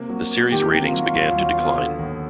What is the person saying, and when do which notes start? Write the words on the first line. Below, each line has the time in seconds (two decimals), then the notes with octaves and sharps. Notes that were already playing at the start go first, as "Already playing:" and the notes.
The series' ratings began to decline.
Already playing: C3 A#3
0.10 F#3
0.31 A#3
0.52 D#3 G4
0.73 C3
0.83 F4
0.93 F#3
1.15 D#2
1.36 F#3
1.57 B3
1.78 D3
1.99 D#2